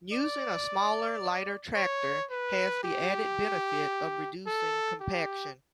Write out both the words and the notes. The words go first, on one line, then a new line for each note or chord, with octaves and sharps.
Using a smaller, lighter tractor has the added benefit of reducing compaction.
D5
C#5
B4
G4
A4
G4